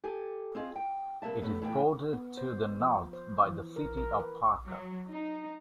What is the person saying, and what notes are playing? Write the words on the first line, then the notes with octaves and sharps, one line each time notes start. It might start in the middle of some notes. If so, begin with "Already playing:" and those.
It is bordered to the north by the city of Parker.
G4 A4 G#5
C4 F4 G#4 D#5
G5
G2 C3 A#3 E5 A5
C3 A3 B3 C#4
A2 E3 B3 D#5 G5
B3
C5
F3
C5
E3
A#4
A#4
B4
F#3
D#4